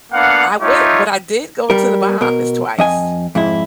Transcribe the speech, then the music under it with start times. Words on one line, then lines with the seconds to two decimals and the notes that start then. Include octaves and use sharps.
I went but I did go to The Bahamas twice,
0.13 A#3 B3 D4 F5 F#5
0.61 A3 D#4 F4 G4 C#5 E5
1.70 G3 A#4
2.21 B2 A#4
2.79 F2 D#5 G#5
3.35 F2 G#2 E4